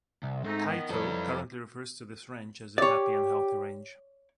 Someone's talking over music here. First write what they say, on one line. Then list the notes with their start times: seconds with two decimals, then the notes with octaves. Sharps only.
Tayto currently refers to this range as the "Happy and Healthy range".
0.23 C2
0.44 G#2 A3 C4 D#4
0.66 D#3 B3
0.90 F2 E3 F#3 G3 A4
2.78 G4 C#5 D5